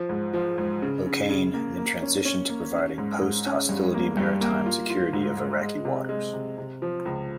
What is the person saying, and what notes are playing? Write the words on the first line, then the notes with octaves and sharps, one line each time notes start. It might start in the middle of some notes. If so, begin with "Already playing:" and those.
"O'Kane" then transitioned to providing post hostility maritime security of Iraqi waters.
Already playing: F3
G#2
F3
G#2
C#3
C#3
C#3
A#3
A#3
C#4
C#4
A#3
C#4
G#2
G#2
C#4
G2
A#3
G2
A#3
F4
F4
G#2
G#2
G#3
C3
G#3
C3
C3
F3
C#2